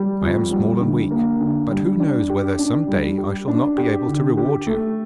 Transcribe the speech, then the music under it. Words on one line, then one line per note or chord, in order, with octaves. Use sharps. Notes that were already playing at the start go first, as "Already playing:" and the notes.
I am small and weak, but who knows whether some day I shall not be able to reward you.'
Already playing: G3
F2
G3
D3
A#3
D3
G3
D4
G4
D4
G3
G4
D4
G4
D3
G4
A3